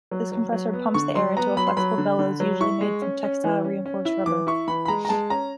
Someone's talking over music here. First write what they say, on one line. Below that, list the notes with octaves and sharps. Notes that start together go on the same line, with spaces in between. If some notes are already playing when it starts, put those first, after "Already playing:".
This compressor pumps the air into a flexible bellows, usually made from textile-reinforced rubber.
F#3
F#3
F#3
B3
D3 C#6
F#3 C6
B3 A#5
F#3 B5
C6
F#3 B5
D3
D3
F#3
E4 C#6
G#3
C#4
C#4
E3
C#4
C#4
E4
E3 D6
E4 C#6
E3 B5
B5
G#3 A#5
A#5
G#3 A5
C#4 A#5